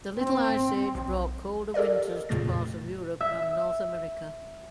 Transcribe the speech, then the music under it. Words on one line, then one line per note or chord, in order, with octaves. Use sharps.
The Little Ice Age brought colder winters to parts of Europe and North America.
C4
B1
G4 A4 A#4 D5 D#5
F2 A#2 C#3 A3 A6
E5